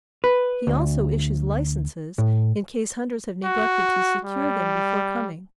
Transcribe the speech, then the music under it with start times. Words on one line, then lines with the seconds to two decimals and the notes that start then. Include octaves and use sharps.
He also issues licenses in case hunters have neglected to secure them before coming.
0.24 B4
0.67 D2
2.18 A2
3.44 F#4
4.24 G3